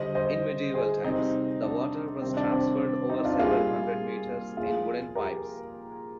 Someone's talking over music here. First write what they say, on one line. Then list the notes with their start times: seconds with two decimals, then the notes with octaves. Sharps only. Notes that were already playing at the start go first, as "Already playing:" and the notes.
In medieval times, the water was transferred over several hundred metres in wooden pipes.
Already playing: D3 G3 C5 D#5
0.15 C5 D#5
0.74 G#4 C5
1.04 C3 G3 C4 D#4
1.62 D4
2.21 C3 D#3 G3 C4
2.37 D4
2.51 C4
3.09 C4 D#4
3.25 D4 F4
3.39 A#2 G3 F4 G#4
4.57 A#2 F3 F4 G#4
5.15 G4 A#4